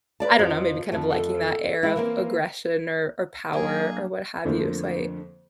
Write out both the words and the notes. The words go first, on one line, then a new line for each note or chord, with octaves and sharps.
I don't know, maybe kind of liking that air of aggression or or power or what have you, so I
B4 D5 A5
F2 F3
F2 A3
A4
G#3 E4 G5
E3 A#3 C4 A#4
F#3 A#3 D4 G#4 A#4
F2 D3 F3 A3 A#3